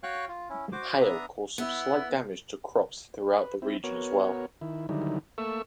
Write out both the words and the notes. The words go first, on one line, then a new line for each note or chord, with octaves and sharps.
Hail caused some slight damage to crops throughout the region as well.
F#4 C#5 F5 G5 C#6 F#6
F4
C#4 E4
F#4 C5 D6
B3 D4 E5 A#5 D#6
B3 E4
B4
C4 E4
B3 F#4 A#4 C#5
D#3 E4
D3 D#3 F#3 G3 D#4 E4
A3 A#3 A4 E5 C#6 E6